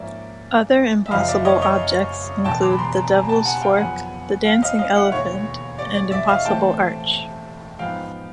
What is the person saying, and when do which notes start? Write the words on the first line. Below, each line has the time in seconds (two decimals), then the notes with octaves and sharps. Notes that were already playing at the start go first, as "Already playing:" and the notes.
Other impossible objects include the devil's fork, the dancing elephant, and impossible arch.
Already playing: G#2 F3 A#3 C#4 D5 E5
1.06 E5
1.11 F#1 F#2 C#3 F3 D#5 F5
1.28 D5 E5
1.45 C#5 D#5
1.61 C#5 D#5
2.45 E1 E2 B2 G5 A5
2.62 C6 D6
2.70 B5
2.79 A#5 C6
2.95 A#5 C6
3.12 G#5 A#5
3.29 G5 A5
3.45 F#5 G#5
3.62 F5 G5
3.78 F2 C#3 F#3 B3 F#5 G#5
4.45 F5 G5
4.62 D#5 F5
4.79 D#5 F5
4.95 E5 F#5
5.12 E1 D#2 D3 C#5
5.78 D5
5.95 D5
6.12 D5 E5
6.29 D#5 F5
6.45 A2 E3 A3 C4 G5 A5
7.79 G#2 F3 G#3 B3 D#4 F5 G5